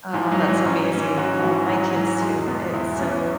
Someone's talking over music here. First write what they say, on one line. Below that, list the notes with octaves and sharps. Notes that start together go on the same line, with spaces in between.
Oh, that's amazing, oh, my kids too, it's so
G#2 E3
F#3
E3
F#3
G#2 C#4
E3 C#4
G#2 F#4
E3 F#4
G#2 F#3
E3 F#3
E2 G#3
B2 B3
E2 E4
B2 C#4